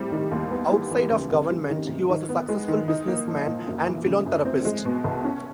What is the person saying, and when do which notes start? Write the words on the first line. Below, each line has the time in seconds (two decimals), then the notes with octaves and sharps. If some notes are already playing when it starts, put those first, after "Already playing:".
Outside of government, he was a successful businessman and philanthropist.
Already playing: A2 G3 C4
0.12 D#3
0.31 D#2
0.51 B3
0.72 G3
0.91 E3
1.11 C#3
1.31 C3
1.50 G3
1.70 D#3
1.89 C3
2.09 D#3
2.29 B3
2.49 G#3
2.68 D#3
2.88 D#4
3.07 A#3
3.28 F3
3.47 A#2
3.67 F#2
3.86 E3
4.06 C#3
4.26 F#2
4.45 C4
4.65 G#3
4.85 B2
5.04 C2
5.24 C#4